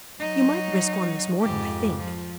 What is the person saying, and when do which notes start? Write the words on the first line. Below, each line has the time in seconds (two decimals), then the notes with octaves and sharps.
You might risk one this morning, I think.
0.20 F#3 D#4
1.41 F2 G#2 G4
1.98 F3